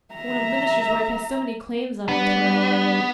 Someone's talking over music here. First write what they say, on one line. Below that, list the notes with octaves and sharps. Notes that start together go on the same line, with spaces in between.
When a minister's wife has so many claims on her time!
E5 A#5
G3 B3 D4